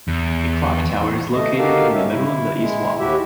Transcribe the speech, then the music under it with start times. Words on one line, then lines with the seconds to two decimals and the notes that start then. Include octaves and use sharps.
A clock tower is located in the middle of the east wall.
0.08 E2
1.33 A3 D#5
1.58 D#4 F#4 G4 A4 A#4 F5
1.94 C#4 D#4 E5
2.09 E4
2.58 G#3 E4
2.99 D#2 E4 F#4 G4 E5